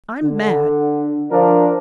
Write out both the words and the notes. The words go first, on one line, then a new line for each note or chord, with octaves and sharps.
I'm mad!
D3
F3 D4 A#4